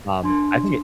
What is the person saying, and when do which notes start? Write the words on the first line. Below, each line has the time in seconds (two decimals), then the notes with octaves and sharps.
Um, I think it
0.24 D4 C6